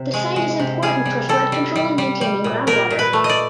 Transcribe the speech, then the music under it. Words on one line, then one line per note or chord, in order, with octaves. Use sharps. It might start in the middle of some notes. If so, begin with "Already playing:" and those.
The site is important for flood control and maintaining ground water.
Already playing: C3
G#3
G#3
C3
G3 G#4
G3
G3 A4
G3
G3
G3
G3
A#2
A#2 A#4
A#2
B4
A3
D#5
D5